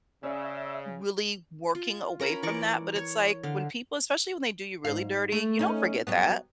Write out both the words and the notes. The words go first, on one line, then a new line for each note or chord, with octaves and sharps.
really working away from that, but it's like, when people especially when they do you really dirty, you don't forget that.
C#3 C#4 D5 E5
F4
C#4 A#4 A#5 B5
E3 A#4 D5 C#6
C#5
D3 F5
G#2 F5
A3
C#4 D#4
F#3 G3 B3